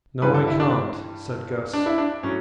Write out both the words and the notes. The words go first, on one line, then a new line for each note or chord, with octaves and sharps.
"No I can't," said Guss.
G2 E3 G3 B4
A4
E4
D4
D4
E4
D4
A2 F#3 C#4